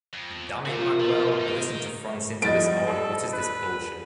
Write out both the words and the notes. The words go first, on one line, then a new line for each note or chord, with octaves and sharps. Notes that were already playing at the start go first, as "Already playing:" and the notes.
Damnit, Manuel, I listened to France Inter this morning, what is this bullshit?
F2
A3 F4 F#4 A#4
F3
D#3 D#4
A2 F3 G3 B3 D#5 A6 D7
G3 A4
B4